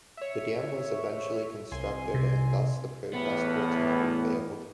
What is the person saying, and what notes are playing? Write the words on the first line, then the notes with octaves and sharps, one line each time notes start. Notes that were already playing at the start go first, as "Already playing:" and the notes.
The dam was eventually constructed and thus the protest ultimately failed.
C#5 E5
C2 G#5 C6
C3
E2 A2 B3